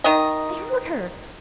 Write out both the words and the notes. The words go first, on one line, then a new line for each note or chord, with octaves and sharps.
I heard her.
D#3 D#5